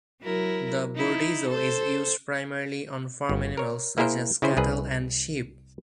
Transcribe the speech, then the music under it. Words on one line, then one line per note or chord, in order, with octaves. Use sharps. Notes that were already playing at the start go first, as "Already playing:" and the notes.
The burdizzo is used primarily on farm animals such as cattle and sheep.
F#3 E4 A#4
D#4 E4
A4 C5
G1
A#4 C#5
A#3 E4 G#4 A#4 C5
C#3 E4 G#4 C5
C2 G#4 B4